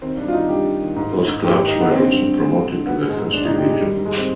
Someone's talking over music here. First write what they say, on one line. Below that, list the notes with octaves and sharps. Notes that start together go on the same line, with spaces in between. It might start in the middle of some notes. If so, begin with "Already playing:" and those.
Both clubs were also promoted to the First Division.
D#3 C4
G2 D4
F4
D#3 D#4
G2 G4
G2
D#3
G#2
G#2
G#2
G#2 G4
D#3
D#4
G#2
B3
D3 C4
G2
G2
D3
D3
D3
D#3 B3
G#2
G#3
G#2
G#2 D4
D#4
G#2
G4
G#2 G#3
D#3 G3
G#2
G#3
C4